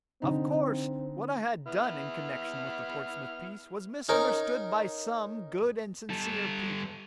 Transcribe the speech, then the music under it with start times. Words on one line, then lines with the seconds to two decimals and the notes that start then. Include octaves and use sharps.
Of course what I had done in connection with the Portsmouth peace was misunderstood by some good and sincere people.
0.22 D3 C4 D#4
1.66 B3 E4 F6
4.09 C#4 D#4 A#4
6.10 G3 A4